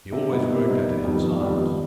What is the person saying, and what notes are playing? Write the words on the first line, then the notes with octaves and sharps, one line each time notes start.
He always worked at it in silence.
C3
G3 B3 D#4
C3
G3 B3 D#4
F1
F2 D#3 G3 B3
F1
F2 D#3 G3 B3
G#1